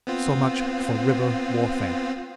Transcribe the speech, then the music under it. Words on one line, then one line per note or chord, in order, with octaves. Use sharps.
So much for river warfare.
B3 C4 F4